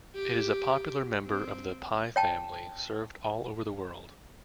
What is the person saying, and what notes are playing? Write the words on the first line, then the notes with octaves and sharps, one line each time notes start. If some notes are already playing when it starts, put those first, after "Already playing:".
It is a popular member of the pie family served all over the world.
G4
C4
C#5 G5 A5